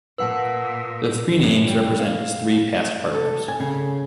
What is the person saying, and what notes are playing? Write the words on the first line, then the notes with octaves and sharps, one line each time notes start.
The three names represent his three past partners.
A#2 B4 F#5 A5 E6
F#2
G3
F5
A4
G#5
C#3